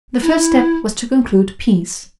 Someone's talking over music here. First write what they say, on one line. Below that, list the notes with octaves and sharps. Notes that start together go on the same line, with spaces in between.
The first step was to conclude peace.
E4